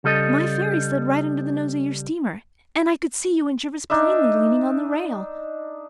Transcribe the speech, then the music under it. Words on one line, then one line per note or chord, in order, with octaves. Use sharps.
My ferry slid right under the nose of your steamer, and I could see you and Jervis plainly leaning on the rail.
C#3 G3 A4 D#5
D4 D#4 D#5 E5